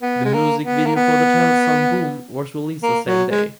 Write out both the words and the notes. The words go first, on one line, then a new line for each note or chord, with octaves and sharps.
The music video for the title song "Boom" was released the same day.
B3
G#3
A#3
B3
A#3
B3
A#3
F#3
G#3